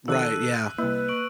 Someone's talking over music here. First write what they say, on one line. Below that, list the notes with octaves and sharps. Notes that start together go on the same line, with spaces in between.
Right, yeah.
D#3 F3 D4 A4 E6 F#6 D#7
C2 A#3 E4 B4
C#6 D7 F#7